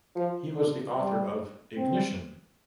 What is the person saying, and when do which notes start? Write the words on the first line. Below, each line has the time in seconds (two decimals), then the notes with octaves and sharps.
He was the author of Ignition!
0.15 F3
0.55 D3
0.96 G3
1.76 C4